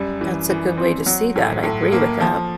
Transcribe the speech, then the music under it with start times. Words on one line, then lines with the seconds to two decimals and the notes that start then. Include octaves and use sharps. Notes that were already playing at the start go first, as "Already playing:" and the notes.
That's a good way to see that, I agree with that.
Already playing: F#2 G3
0.21 E3
0.50 E3
0.78 C4
1.06 F#3
1.36 A2
1.63 A2
1.93 A#3
2.20 F3